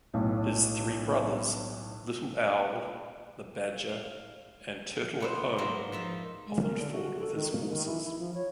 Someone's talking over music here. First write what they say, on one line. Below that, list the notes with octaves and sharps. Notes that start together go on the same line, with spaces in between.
His three brothers, Little Owl, the Badger, and Turtle-at-Home, often fought with his forces.
B1 A2
F5
B2 B3 C5
G#2 F#3 A#3 C5
F3 D#4 E5
G#3
A#4
D3
F#4
A4
D#3
A#3
D#3
E3
E4
F3
C#5